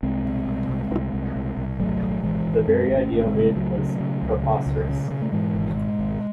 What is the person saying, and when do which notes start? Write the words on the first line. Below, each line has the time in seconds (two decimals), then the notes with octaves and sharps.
The very idea of it was preposterous.
0.03 C2 G#3 C4
0.25 C3
0.46 C2
0.69 C2
0.91 C2
1.14 C2
1.36 C2
1.57 C2
1.80 G#1 F#3 A3
2.01 G#1
2.23 G#1 E3 G#3
2.46 G#1
2.68 F#2 G#3 C4
2.90 G#1
2.97 A3 C#4
3.12 G#1
3.20 C#4
3.26 G#3 C4
3.34 C#3
3.56 C#2 F#3 A3
3.78 C#3
4.00 C#3
4.22 C#2
4.44 C#3
4.66 C#2
4.89 C#3
5.11 C#3
5.22 A3
5.32 G#2 E3 G#3
5.55 G#1
5.77 G#2
5.99 G#1